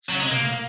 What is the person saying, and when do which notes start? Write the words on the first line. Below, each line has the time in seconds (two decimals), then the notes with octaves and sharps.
Same here.
0.09 F#3
0.20 G#3
0.30 A#3